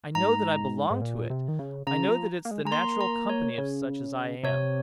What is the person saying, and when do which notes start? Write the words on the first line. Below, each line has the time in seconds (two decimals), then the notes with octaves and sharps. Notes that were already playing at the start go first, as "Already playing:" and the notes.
'I know that I belong to it. I know that it's the natural company of such as I am!
0.15 G#2 A#5
0.90 G#2
1.02 A#2
1.30 C3
1.48 D#3
1.59 C#3
1.87 C#3 A#5
2.09 F3
2.45 A#3
2.51 G#3
2.65 G#3 A#5
2.72 A#3 C6
3.01 A#5
3.29 C#5
3.58 C#3
4.43 C3 C#5